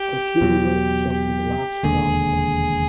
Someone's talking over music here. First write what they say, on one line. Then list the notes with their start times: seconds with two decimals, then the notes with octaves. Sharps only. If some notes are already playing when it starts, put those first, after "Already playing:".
Her funeral attracted large crowds.
Already playing: G4
0.41 E2 B2 F#3
1.12 G4
1.83 E1 D#2 D3 G#4